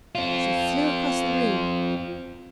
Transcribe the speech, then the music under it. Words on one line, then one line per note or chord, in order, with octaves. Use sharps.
She flew across the room.
C4 F4